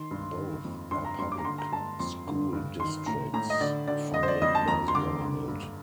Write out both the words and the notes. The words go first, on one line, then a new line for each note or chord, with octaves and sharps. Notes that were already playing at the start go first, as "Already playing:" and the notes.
Both are public school districts, funded by the government.
Already playing: D#3 C6
G2
D#3
F2
G2 C6
A#5
G2 C6
D6
A#5
D3 C6
A#5
G2 A5
F2 C6
D3
G2
D#3 C6
A2 A#5
A2 A#5
D#5
D3 D5
D3 D5
D3 D#5
C5
D5
F2 D#5
A5
F2 A#5
C6
D3 D6
D3
G2